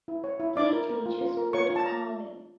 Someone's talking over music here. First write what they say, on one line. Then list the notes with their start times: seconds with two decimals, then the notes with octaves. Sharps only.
He teaches woodcarving.
0.08 E4
0.24 C#5
0.40 E4
0.56 E4 D5 D6
0.73 A#4
0.89 A#4
1.06 F4
1.21 F4
1.37 A#4
1.53 F4 C#5 C#6
1.70 F4
1.76 A5
1.86 A#5